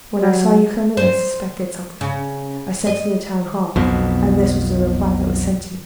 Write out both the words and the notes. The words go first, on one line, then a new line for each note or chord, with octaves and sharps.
When I saw you come in I suspected something; I sent to the town-hall, and this was the reply that was sent to me.
F#3
C5
C#3
D#5
B1 F2 B2